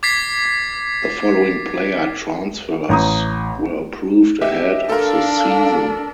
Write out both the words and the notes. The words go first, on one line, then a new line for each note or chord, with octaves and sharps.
The following player transfers were approved ahead of the season.
D6 G#6 A6 B6 C7
A1 A#5 D#6
G4 D#5 E5
D4 A4 A#4 F5